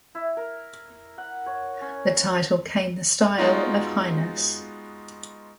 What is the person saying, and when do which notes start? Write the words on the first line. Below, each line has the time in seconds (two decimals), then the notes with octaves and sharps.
The title came the style of Highness.
0.15 E4
0.37 A#4
1.18 F#5
1.46 C#5
1.81 C#4
3.38 G#3 B3 D#4 F4 F#4